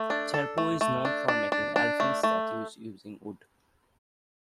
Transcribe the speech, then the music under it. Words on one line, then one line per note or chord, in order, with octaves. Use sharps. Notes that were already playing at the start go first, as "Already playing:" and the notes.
Cherpu is known for making elephant statues using wood.
Already playing: A3
D4
A4
A3
A3
D4
D4
D4
D4
A3
A3